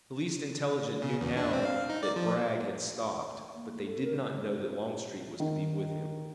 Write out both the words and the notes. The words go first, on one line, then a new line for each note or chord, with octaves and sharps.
The least intelligent knew now that Bragg had stopped, but they did not know that Longstreet was to be with him.
C#3
E2
D4
C4
F5
D#4
D5
F3
A#3
A4
A#4
D#3